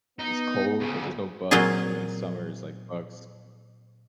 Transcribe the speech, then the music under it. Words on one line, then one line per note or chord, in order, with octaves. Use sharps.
is cold, but there's no bugs, and then summer is like bugs.
B3 D#4
D2 C#3
A#2 F#3 A#3 C4 F4 G#4